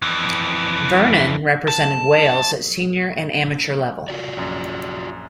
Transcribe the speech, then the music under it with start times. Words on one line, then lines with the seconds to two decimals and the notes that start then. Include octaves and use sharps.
Vernon represented Wales at senior and amateur level.
0.02 F2 E3
1.68 A5
4.08 F4 F#4 D5
4.37 A#1 F#2